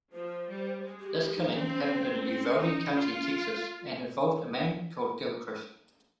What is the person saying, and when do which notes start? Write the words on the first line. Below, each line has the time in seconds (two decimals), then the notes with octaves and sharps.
This killing happened in Uvalde County Texas and involved a man called Gilchrist.
0.12 F3 C5
0.48 G3
0.82 G#3
1.00 G4
1.18 G4
1.35 D#4
1.53 C4 C#4
2.23 C4
2.58 D#4
2.93 F4